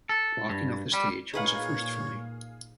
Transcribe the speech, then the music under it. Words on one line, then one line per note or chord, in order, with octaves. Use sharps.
Walking off the stage was a first for me.
A4
G2
G3
A#2 D#4 G#4 B4 C#5 F5 F#5